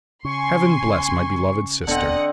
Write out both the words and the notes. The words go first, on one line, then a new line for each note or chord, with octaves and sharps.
Heaven bless my beloved sister!
C#3 G#5 C6 C#6
E1 D3 B3 C4 D#5 F#5